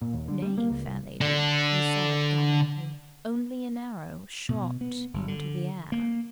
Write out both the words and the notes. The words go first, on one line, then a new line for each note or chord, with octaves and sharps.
"Nay, fair lady," he said gallantly, "only an arrow shot into the air."
A#2
D#2
D3
G3
A#3
C#2
C2
D3 D4
B2
B3
G1
D3
A#3